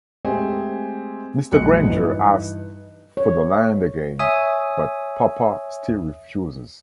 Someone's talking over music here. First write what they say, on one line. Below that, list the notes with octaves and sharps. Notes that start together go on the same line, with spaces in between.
Mr. Granger asks for the land again, but Papa still refuses.
G#3 A3 C4 G4 G#4 G#5
A#1 F#3 G#3 F#6 C#7
G2 E3 D#4
C#5
C#5 E5 G#5 D#6